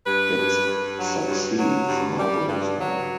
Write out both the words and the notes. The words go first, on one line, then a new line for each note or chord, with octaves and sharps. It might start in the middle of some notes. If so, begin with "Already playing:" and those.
It succeeds marvelously.
G2 B4
G2
G2
F#3
G2
F#3
G2
G3
G2
F#3